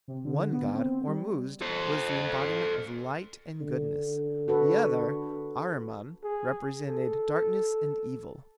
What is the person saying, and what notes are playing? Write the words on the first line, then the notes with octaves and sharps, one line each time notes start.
One god, Ormuzd, was the embodiment of light and goodness. The other, Ahriman, represented darkness and evil.
C3
D3
B3
C4
G3
A4 C5
D3
F#4 A4 B4
G#4
A4